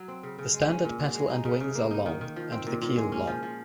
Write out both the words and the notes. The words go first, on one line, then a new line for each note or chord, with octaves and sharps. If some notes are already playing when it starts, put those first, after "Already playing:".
The standard petal and wings are long and the keel long.
Already playing: F#3
C4
C#3
C#3
G#3
C#4
A#2
F#4
G#3
D#4
C#3
C#3
A#3
D#4
D#3
D#3
F3
C4
A#2
A#2
G#3
C#4
F3
F3